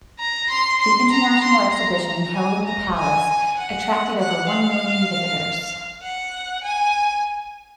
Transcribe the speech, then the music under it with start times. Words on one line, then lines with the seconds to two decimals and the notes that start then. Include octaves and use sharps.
The International Exhibition held in the Palace attracted over one million visitors.
0.19 A#5
0.50 C6
0.81 C6
1.12 A#5
1.42 C6
1.73 A#5
2.34 G#5
2.65 A#5
2.95 G#5
3.57 F#5
4.18 F#5
4.49 F5
6.02 F#5
6.64 G#5